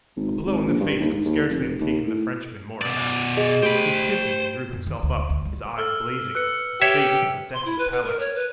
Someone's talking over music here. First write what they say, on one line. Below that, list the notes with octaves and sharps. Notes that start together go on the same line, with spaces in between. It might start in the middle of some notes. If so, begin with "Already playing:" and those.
A blow in the face could scarcely have taken the Frenchman more aback. He stiffened, and drew himself up, his eyes blazing, his face of a deathly pallor.
G#1
G#1
A#1
G2
D#2
G#2
D#2
F1
D#2
A2
B2 D5
G#4 D#5
A3 G4 C5 B5 D7
F2
D#3
D2
G3
D2
G3
A4 E6 F6
B4 E6 F#6 C#7
G4 C#5 E5
C6
E4
B4
B4
A#4
C#5
B4